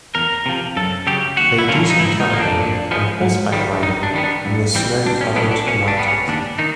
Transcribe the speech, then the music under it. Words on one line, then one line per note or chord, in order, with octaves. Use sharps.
They do some camping and horseback riding in the snow covered mountains.
E2 A#4
C3 F3
F#2 A4
C#3 F#3 G4
D#2 F#4
E4
D3 F#3 A#3 C#4 F4
D#4
G#2 E4
D#4
F3 A#3
D4
A#2
F3 G#3 B3
G#2
D#3 G3
G2 D#4
D4
D#3 G3 B3
D4
G2
E3 G3 C4
C2 D4
C#4
B2 F#3 B3 D4
D4
B2 C#4
D4
G3 B3
C#4
D#2 D4
D#3 D#4